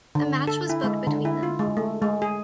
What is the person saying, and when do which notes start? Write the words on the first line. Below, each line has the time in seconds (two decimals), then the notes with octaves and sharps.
A match was booked between them.
0.15 D3
0.47 A4
0.69 E4
0.84 G#3
1.07 D3
1.25 E4
1.43 F4
1.59 G#3
1.77 A3
2.02 G#3
2.22 G#4